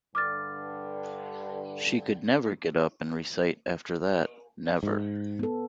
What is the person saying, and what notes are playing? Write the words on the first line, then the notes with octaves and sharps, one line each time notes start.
She could never get up and recite after that — never.
G2 D3 D6 F6 A6
G#2
B3 A4